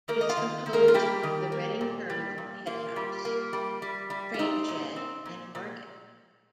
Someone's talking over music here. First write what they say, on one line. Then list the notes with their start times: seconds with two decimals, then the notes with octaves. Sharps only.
It is composed of the Reading Terminal Headhouse, Trainshed, and Market.
0.08 D#3 A#3 A#4
0.21 D#5
0.29 F4 F5
0.37 D#3
0.66 D#3
0.73 A#3 A#4
0.88 F4
0.94 G3 A#3 G4
1.23 D#3
1.52 A#3
1.81 A#2
2.10 G3
2.38 A#2
2.67 A#3 F4
2.96 G3
3.25 A#3
3.53 G3
3.82 G3
4.10 G3
4.34 F4
4.39 C4 D#4
4.69 A#2
4.96 C4
5.26 A#2
5.55 A#2